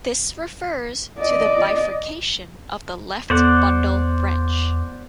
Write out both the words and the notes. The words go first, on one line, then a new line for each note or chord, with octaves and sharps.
This refers to the bifurcation of the left bundle branch.
D5 D#5
E2 B3 A4 C5 D5 F#5